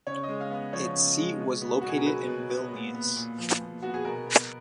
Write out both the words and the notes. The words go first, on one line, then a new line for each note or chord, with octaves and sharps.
Its seat was located in Vilnius.
C#3 C#5
D#5
G#3
F5
B3
F3 C#5
C#3
G#3
B2
B3
B2 F#4
G#4
A#4
F#3 B4
B2
B3
A#2
B3
A#2
F3
A#2
B3 F#4
G#4
B2 A#4
B3